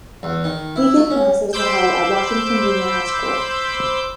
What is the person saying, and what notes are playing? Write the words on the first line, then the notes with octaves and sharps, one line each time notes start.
Weekend masses were held at Washington Junior High School.
E2
D#3
E4
A3
C#4
C5 B5 C6 D6 E6 G6